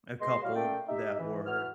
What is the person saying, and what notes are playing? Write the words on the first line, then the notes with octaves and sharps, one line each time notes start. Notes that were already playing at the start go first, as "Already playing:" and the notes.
a couple that were
B2 G#3 D#5 C6
G3 E4 F#4 C#5 F5
A3 A#3 C#4 D5 E5 G5
D#4 G4 E5
E3
E3 F#4 B4 F6